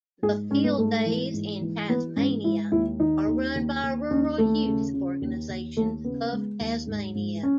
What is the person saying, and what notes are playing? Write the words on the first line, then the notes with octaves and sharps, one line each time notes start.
The Field days in Tasmania are run by Rural Youth organisation of Tasmania.
G#2 G#4
G#2 C#4
B3
G#2 A3
E3
G#2
E3
E3 B3
G#2 C#4
G#3 E4
D#2 E4
D#3 D#4
D#2
D#2
D#2
D#2 C#4
D#2 A3
C#3
C#3
D#2
D#2
D#2 A3
C#3 B3
G#3
D#2
G#2
G#2
C#4